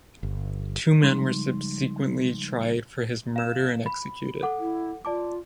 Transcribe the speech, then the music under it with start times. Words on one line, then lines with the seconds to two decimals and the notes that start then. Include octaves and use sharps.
Two men were subsequently tried for his murder and executed.
0.23 G1
1.03 C#3 F3 G3 G#3 D#4 C6
3.36 F5 E7
3.86 B5
4.42 A4 F#5 D6
4.59 E4
5.05 F4 D5 A5 D6